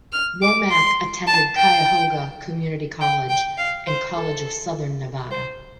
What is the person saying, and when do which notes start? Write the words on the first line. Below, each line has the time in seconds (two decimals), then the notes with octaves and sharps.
Womack attended Cuyahoga Community College and College of Southern Nevada.
0.12 F6
0.42 D6
0.71 C6
1.27 A5
1.57 G5
3.01 G5
3.29 G5
3.58 F5
3.87 C5
4.15 A4
5.31 C5